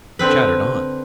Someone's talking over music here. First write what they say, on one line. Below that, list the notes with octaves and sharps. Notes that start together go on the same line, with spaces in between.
He chattered on.
D3 C4 B4